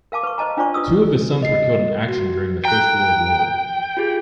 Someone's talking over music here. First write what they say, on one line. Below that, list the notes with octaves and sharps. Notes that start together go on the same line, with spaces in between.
Two of his sons were killed in action during the First World War.
A#4 F5 A5 D6
B4 C#6
B4 C5 D#5 A5 A#5
C#4 D4 F4 C5 D5 C#6
F4 B4 D#6 E6
D#5 C7
F#4
G5 A#5 F#6
F4 G4 G#4